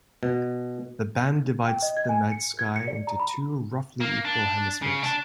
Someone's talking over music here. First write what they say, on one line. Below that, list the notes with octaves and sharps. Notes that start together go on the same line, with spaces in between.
The band divides the night sky into two roughly equal hemispheres.
B2
G5
D#5
G#6
G#5
C#7
G#6
C#7
D5
A#5
B5
A#3
D4
C#3
D4